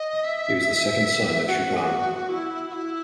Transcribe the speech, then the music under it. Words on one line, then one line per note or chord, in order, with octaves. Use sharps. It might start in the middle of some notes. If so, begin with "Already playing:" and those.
He was the second son of Chupan.
Already playing: D#5
E5
F#4
E4
F#4
E4